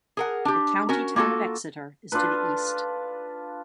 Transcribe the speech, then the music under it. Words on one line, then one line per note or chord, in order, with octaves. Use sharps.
The county town of Exeter is to the east.
G#4 A#4 F#5
D4 G4
C#4 F#4 A#4
A#3 F4 F#4 A4
D4 F4 A4 B4